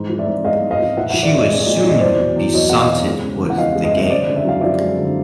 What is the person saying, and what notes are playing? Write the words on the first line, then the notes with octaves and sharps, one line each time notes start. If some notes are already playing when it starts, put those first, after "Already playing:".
She was soon besotted with the game.
Already playing: G#2 E3
F3
D5 E5
G#2
G#3 D#5 F5
G#2
D#5 F5
F3
A#2 E5 F#5
E5 F#5
F3
D5 E5
A#2 C#5 D#5
G#3 D5
A#2 D#5
D5
F3 D#5
E2 C5 D5
B2
E2
F#3 C#5 D#5
E2 F#5
D#5 F5
B2
G#3
C#3
E2
F#5
F3 D#5 F5
G#3
D#5
C#3 E5
C#5 D#5
G#3 C5 D5
D3
E5
F#2 F5
F3 D5 E5
G#3
D3